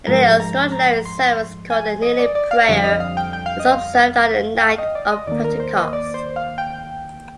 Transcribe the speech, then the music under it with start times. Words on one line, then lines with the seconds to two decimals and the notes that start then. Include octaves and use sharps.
An extraordinary service called the Kneeling Prayer, is observed on the night of Pentecost.
0.07 G#2 F3 G#3 A#4
0.40 A#5
0.72 A#5
1.05 C6
1.70 G#5
2.02 D#5
2.19 D5
2.35 D5
2.51 F5
2.67 F2 D3 G3 F5
2.84 D#5
3.00 F5
3.17 G5
3.33 G5
3.46 F5
3.60 D#5
3.73 F5
4.57 G5
4.63 F5
4.78 D#5
4.95 D5
5.12 D#5
5.27 D#2 D#3 A#3 D5
5.44 A#4
5.60 C5
5.77 D#5
5.93 D5
6.14 C5
6.36 F5
6.58 G5